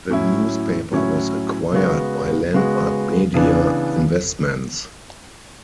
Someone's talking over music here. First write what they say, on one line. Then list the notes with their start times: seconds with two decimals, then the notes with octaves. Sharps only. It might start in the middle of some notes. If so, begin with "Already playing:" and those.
The newspaper was acquired by Landmark Media Investments.
0.10 A2 F#3 C#4 E4
0.92 A2 F#3 C#4 E4
1.72 C#3 G#3 B3 F#4
2.53 C#3 G#3 B3 F#4
3.34 C#3 E3 B3 D4